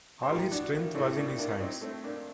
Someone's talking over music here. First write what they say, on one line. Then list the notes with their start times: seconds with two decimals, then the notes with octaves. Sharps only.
All his strength was in his hands.
0.23 C5
0.29 A2 G4 A#4
0.51 D4 F#4
0.73 A#3
0.95 A2 A3 C4
1.17 A#3 D4
1.38 A#3 D4
1.60 A#2 C4 D#4
1.81 A3 C4
2.04 A#3 D4